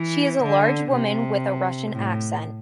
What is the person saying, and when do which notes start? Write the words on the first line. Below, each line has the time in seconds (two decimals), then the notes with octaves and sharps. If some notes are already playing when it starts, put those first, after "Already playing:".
She is a large woman with a Russian accent.
Already playing: E3
0.43 D3
0.92 C3
1.91 A2